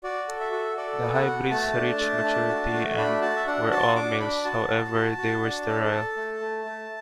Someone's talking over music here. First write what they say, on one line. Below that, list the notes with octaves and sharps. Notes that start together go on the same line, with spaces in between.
The hybrids reached maturity and were all males, however they were sterile.
F#4 D5
A4
E5
F#4
A4 D5
B3
F#5
F#4
A3 A5
D4
A3
D4
F#4
A3
D4 B5
F#4 A5
E5
D4 F#5
F#4 A5
D4 D6
D4 B5
F#4 A5
F#4
F#4
F#4
D4
A4
A4
A3
A3
A3